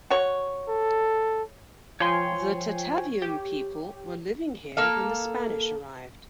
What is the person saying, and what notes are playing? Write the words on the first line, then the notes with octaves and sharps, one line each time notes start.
The Tataviam people were living here when the Spanish arrived.
F#4 C#5
A4
F3 C#5 G5 G#5 C6
G4
A#3 A4 F5